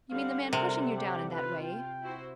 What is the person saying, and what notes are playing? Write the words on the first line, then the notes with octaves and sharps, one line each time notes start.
"You mean the man pushing you down in that way?"
D3 G3 F5 F#5
C3 A#4
G4
F4 B4
G5
E4 F#4 C5